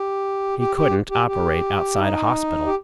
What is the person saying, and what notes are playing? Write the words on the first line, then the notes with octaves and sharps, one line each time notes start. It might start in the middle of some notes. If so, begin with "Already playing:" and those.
He couldn't operate outside a hospital.
Already playing: G4
G4
G4
G4
G4
D#4
G4